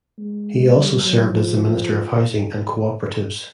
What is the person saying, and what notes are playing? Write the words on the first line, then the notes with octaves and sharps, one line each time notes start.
He also served as the minister of housing and co-operatives.
G#3
G3
F#3
F3